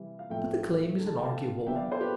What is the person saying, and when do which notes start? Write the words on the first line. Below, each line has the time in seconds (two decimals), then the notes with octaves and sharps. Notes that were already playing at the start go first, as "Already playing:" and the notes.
But the claim is an arguable one.
Already playing: C3 E3 G3
0.19 F5
0.30 A2 F3 A3 C4 E5 G5
0.99 D3 A3 D4
1.07 A5
1.16 G5
1.24 F5 A5
1.67 B2 B3 D4 E5 G5
1.76 D5 F5
1.92 A4 C5
2.01 G4 B4